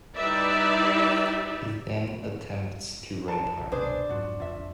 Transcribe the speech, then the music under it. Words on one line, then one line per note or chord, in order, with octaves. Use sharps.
He then attempts to rape her.
G3 D#4 E4 B4 D5 E5
D5 A5 A#5
A#1
C2 F#2 B2 D4 G#4 B4 C5
F2 G#2 F#3 F4 F#4
A#1 F2 F4 E5